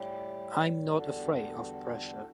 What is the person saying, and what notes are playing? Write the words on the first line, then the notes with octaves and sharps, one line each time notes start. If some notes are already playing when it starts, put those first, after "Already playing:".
I'm not afraid of pressure.
Already playing: A2 G3 E4 G4
G4
E2 D3 G3 F#4 A4